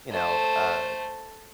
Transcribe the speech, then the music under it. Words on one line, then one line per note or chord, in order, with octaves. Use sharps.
you know, uh,
A3 C5